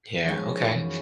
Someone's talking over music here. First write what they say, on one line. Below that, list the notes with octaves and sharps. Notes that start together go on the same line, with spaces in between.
Yeah, okay.
F3 G#3 B3 C#4 D#4
F#2 E3 G#3